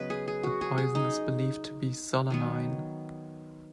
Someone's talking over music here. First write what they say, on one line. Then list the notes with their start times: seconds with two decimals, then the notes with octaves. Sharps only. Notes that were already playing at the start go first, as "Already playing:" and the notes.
The poison is believed to be solanine.
Already playing: C#3 F#3 B3 B4 D#5
0.10 G#4
0.28 G#4
0.43 F#4
0.61 G#4
0.78 G#4
0.95 D#4
2.30 D#3 F#3 B3